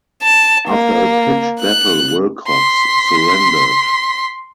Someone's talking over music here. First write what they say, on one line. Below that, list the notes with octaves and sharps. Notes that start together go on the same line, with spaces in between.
After a pitched battle, Wilcox surrendered.
A5
A#3
F#6
C6 B6